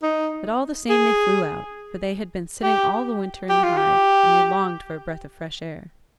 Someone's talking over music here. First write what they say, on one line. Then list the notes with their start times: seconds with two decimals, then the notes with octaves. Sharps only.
But all the same they flew out; for they had been sitting all the winter in the hive, and they longed for a breath of fresh air.
0.03 D#4
0.90 G#4
2.63 G4
3.50 G4
3.64 F4
3.77 G4